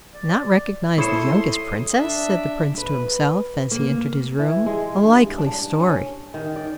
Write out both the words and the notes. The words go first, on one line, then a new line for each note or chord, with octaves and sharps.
Not recognise the youngest princess!' said the Prince to himself, as he entered his room, 'a likely story!'
D5
E4 A4 C5 C#5 C6 D#6
D4 E5
B4
A#3
E3
G#3
G2
D4
C#4
D#3
D5